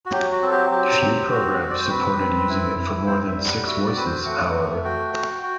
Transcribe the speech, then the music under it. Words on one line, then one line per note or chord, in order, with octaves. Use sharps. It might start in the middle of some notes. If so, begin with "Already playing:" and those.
Few programs supported using it for more than six voices, however.
F#4
F#3 G4
F#4
C4 A4
G4
F#3 G4
C4
F#4
C4
D5
C5
C4 B4
C4
E4
E4
C4 C5
E5
G3
F#5
F#4 E5
D5
C4 B4
C5
A3 F#5
A3
F#4 G5
F#4
F#4